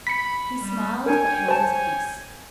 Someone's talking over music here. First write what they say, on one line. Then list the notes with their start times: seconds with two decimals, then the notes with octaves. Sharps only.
He smiled, but held his peace.
0.07 B5 B6 C#7
0.61 G3
1.06 D4 A#4 C#5 G5 G#5
1.48 C5 A5